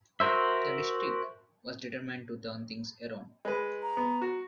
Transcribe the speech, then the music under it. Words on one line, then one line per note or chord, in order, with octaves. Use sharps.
The District was determined to turn things around.
F#4 A#4 C5 E5
G#3 B4
A#5
B3
F#4